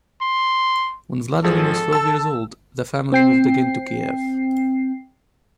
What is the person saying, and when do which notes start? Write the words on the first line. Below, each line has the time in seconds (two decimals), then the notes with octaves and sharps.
When Vladimir was twelve years old, the family moved again to Kiev.
0.22 C6
1.44 G#1 F3 G#4 A4
1.93 A5 E6
3.12 C4 G5 C7